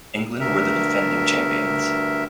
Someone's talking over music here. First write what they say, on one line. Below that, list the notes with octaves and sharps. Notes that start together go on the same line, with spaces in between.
England were the defending champions.
D2 G2 A#4 E5